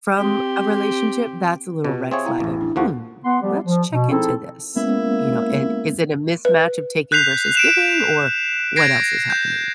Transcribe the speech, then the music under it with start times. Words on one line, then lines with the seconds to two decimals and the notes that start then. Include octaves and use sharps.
from a relationship, that's a little red flagging, "Hmm, let's check into this," you know, and is it a mismatch of taking versus giving, or what else is happening?
0.17 C4 G4
1.84 B2 C4 F4 G4
2.11 C4 G#4 C#5 E5 F5 G5
2.25 E4 F5 G5 A#5
2.40 A1 E2
2.61 D4
2.76 D#2 F3 F#4 A4 F#5
3.24 B3 F#5 C6
3.42 F3 G3 B3 G4
3.65 F3
3.91 B2
4.10 F3 C4 D#4 E4 G#4 A4
4.76 G#3 A#3 B3 C#4 E4
6.45 B4
7.12 F#6 G6 B6 C7 F7
7.55 D7 E7 F7
8.76 G#6 A#6 C7 D7
9.30 G6